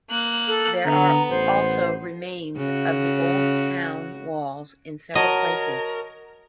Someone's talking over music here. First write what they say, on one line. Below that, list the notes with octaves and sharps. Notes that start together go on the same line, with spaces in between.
There are also remains of the old town walls in several places.
A#3 F#6
A4
D3 B3 A#5
A1 C5
C#3 F#4
F#4 A#4 C#5 D#5 A5